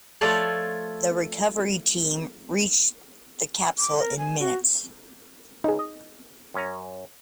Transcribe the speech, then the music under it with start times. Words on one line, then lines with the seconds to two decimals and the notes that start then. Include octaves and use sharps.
The recovery team reached the capsule in minutes.
0.21 F3 A3 F4 A4 C#5 D5
3.79 D6
3.99 A#4
4.18 G#5
4.39 F#4
5.64 C#2 D#4 G#4
5.79 D#5
6.54 F#2 C#4 A#5